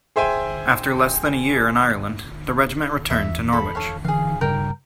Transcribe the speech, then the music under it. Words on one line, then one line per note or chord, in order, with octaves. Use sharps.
After less than a year in Ireland, the regiment returned to Norwich.
G#4 C5 E5 G5 G#5
E2 E5
A4 B5
A4 C#5 F5
D3 E3 G#4 F5
G2 C#3 G3 A#4 G5